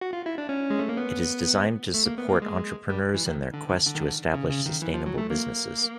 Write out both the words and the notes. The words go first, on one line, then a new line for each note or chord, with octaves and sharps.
It is designed to support entrepreneurs in their quest to establish sustainable businesses.
F#4
F4
E4
D4
C#4
G#3
A3
A#3
B3
A3
A#3
B3
A#3
G#3
G3
E3
D#3
D3
D3
D3
D#3
D3
C#3
C#3
D#3
E3
F3
F#3
A3
A#3